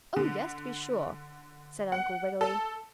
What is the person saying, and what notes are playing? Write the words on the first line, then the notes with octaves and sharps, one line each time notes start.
"Oh, yes, to be sure," said Uncle Wiggily.
D3
F#5
A4